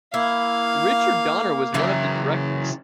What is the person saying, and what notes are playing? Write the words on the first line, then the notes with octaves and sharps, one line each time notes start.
Richard Donner was one of the directors.
A#3 E4 F5
C#3 E3 F#3 A#4